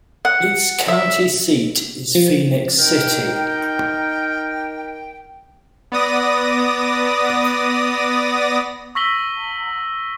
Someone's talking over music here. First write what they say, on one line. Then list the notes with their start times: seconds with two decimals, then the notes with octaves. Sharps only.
Its county seat is Phenix City.
0.25 F#5
0.88 E5
2.15 F3
2.79 D#4 A#4 G5
5.92 B3 D5 D#6 A#6
8.95 C#6 E6 A#6 B6 F#7 G7